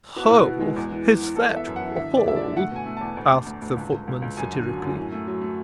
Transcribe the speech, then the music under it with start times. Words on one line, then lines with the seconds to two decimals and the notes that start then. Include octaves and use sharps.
"Ho! is that hall?" asked the footman, satirically.
0.16 B3 F#4
0.23 E4
0.30 B2 F#4
0.46 B3
0.61 G#3
0.76 E2
0.92 E3
1.05 E3
1.22 E3
1.36 E3 A4
1.52 B3 E5
1.67 F#2
1.76 F#5
1.82 E3
1.96 D3 E5
2.11 D3
2.17 D5
2.26 F#2 E5
2.36 D5
2.42 D3
2.56 A3 F#5
2.71 B2 G#5
2.86 A3
2.97 E2 A5
3.17 D2
3.31 D2
3.46 D2
3.62 D2
3.76 C#2
3.92 C#2
4.07 C#2
4.22 C#2
4.37 F#2 G#5
4.51 D3
4.66 F#3
4.82 F#2
4.96 A2
5.12 A3
5.27 F#3
5.41 A3